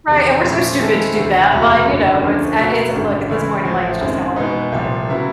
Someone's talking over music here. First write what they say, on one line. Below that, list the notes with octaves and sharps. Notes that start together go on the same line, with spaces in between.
Right, and we're so stupid to do that, but, you know, it's uh, it's look, at this point, I'm like, it's just how I am, so
E2 C3 D#3
A#2 F3 A3 C#4
D#3 G#3 C4 E4 A4
D2 C3 E3
F1 E2 B2 F#3 A3
F#1 F#2 D3 F#3
D2 D3 F3 A#3 C#4
B2 F#3 A3
G#1 F#2 D3
C#3 E3 G#3 C#4 E4
A1 A2 F3
F#1 F#2 D#3 G#3 C4
B2 G#3 B3 D#4
C2 A#2 F3
C#3 F#3 B3 E4